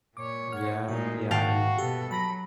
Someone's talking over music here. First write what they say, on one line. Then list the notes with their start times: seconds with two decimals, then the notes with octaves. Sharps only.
Yeah, yeah, and
0.17 A#2 C#5 D6
0.52 F#5 F6 G#6
0.88 A#2 G#3 D#4 F#4
1.31 G#2 D#3 F#4 F5 G5 A5
1.78 B2 G4 A4
2.11 F#3 A5 B5 A#6